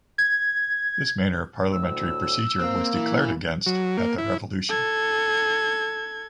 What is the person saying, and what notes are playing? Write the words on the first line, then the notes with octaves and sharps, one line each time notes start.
This manner of parliamentary procedure was declared against at the revolution.
G#6
D2 A2 E6
A#3 C4
E3
F#3
A#3
E4
A4 G#6